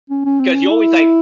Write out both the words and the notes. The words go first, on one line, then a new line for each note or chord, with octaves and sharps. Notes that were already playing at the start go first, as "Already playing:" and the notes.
'cause you always, like,
C#4
C#4
C4
C#4
E4